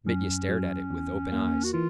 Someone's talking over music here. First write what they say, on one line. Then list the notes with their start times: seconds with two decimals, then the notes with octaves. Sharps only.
Mitya stared at it with open eyes.
0.06 F#2 C#4
0.49 F#3
0.91 E2
1.32 A#3
1.64 F#4
1.73 E3 F4